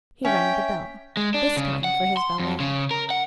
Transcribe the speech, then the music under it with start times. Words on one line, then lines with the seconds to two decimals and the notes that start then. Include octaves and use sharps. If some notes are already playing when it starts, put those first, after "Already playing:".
He rang the bell, this time for his valet.
0.25 C#4 E5 G5
1.17 G#3
1.34 D4
1.56 C#3
1.84 F#5
2.17 C6
2.40 F2
2.60 C#3
2.91 A#4
3.10 F#5